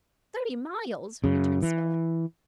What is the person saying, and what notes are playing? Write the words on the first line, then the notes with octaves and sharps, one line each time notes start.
"Thirty miles!" returned Spilett.
F#2 C#3
E3